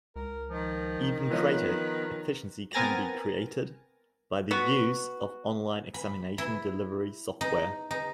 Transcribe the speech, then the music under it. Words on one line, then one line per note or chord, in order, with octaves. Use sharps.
Even greater efficiency can be created by the use of online examination delivery software.
C#2 A#4
D#3 F3
F3 B3 B4 C#5 D#5
B3 C4 A#4 G#5 A6 A#6
B3 F#4
B5
E4
D#4
D#4